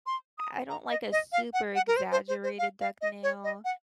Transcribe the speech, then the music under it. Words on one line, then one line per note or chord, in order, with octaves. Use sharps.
I I don't like a super exaggerated duck nail.
C6
D#6
A#5
D#5
D#5
F5
F#5
F#5
A#4
C5
C5
C5
C5
F5
F5
D#5
C#5
D#5
F#5